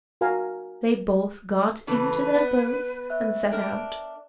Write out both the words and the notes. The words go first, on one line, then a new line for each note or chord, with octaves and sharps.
They both got into their boats and set out.
F#4 A#4 F5 G#5 A#5
C#3 E3 A3 B4
B3
C#5 E5 F#6
D4 A#4 G5